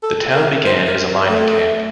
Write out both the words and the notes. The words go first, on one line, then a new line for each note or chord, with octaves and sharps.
The town began as a mining camp.
A4
A#4
C5
A#4
A3